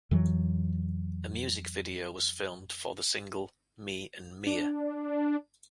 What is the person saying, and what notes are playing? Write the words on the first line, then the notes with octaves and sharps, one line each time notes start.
A music video was filmed for the single Me and Mia.
F2 E3 F#3
D4